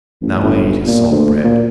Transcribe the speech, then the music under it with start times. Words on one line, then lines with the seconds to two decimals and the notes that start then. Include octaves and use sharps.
Now I eat his salt bread.
0.22 A1
0.43 G1
0.87 A#2
1.11 D2
1.45 A#2